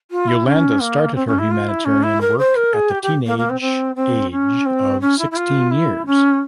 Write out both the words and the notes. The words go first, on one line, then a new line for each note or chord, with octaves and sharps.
Yolanda started her humanitarian work at the teenage age of sixteen years.
F4
E4
C#4
A#3
C4
C#4
E4
F4
E4
C#4
E4
A#4
C5
A#4
G#4
G4
G4
A#3
A#3
C4
C4
C4
C#4
C4
C#4
E4
E4
F4
E4
C#4